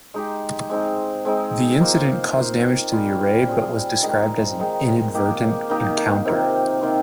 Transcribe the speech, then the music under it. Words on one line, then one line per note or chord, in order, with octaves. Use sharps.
The incident caused damage to the array but was described as an "inadvertent encounter".
G#3 D#4 G4
G#3 C4 D#4
G#3 C4 D#4
A#3 F4 C5
A#3 F4 C5
G3 C4 F4 G#4
G3 C4 F4 G#4
D#3 G#3 D#4
D#3 G#3 D#4
D#3 A#3 D#4 G4
D#3 A#3 D#4 G4
C3 D#3 A#3 F4
C3 D#3 A#3 F4